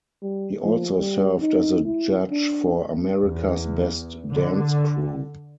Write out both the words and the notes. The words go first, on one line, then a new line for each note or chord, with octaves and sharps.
He also served as a judge for "America's Best Dance Crew".
G3
F3
G3
D#4
E4
D4
E2
D3